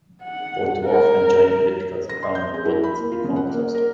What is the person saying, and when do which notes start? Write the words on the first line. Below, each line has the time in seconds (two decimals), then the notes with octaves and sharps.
Both dwarf and giant ellipticals are found in abundance in the Coma Cluster.
0.24 F#5
0.85 A#4
2.09 A#6
2.23 C6
2.35 G6
2.54 G#4
2.65 E4
2.83 B5
2.96 A#3
3.12 F4
3.24 C#3
3.36 F#5
3.49 A#3
3.74 A#4